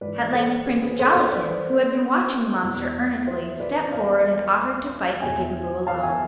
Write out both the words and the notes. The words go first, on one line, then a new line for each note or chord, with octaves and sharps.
At length Prince Jollikin, who had been watching the monster earnestly, stepped forward and offered to fight the Gigaboo alone.
G#2 E3 B4 D5
A4 C5
G#4 B4
G#4 B4
A4 C5
A4 C5
B4 D5
E2 B2
C5 E5
B4 D5
D5 F5
E2 B2 E5 G#5
F5 A5
E5 G#5